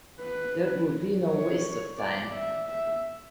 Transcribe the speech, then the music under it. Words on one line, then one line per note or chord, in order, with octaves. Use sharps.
There would be no waste of time.
B4
C#5
D5
E5
E5